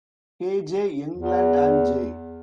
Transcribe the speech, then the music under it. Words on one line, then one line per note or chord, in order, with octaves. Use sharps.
K. J. Englund and J.
E2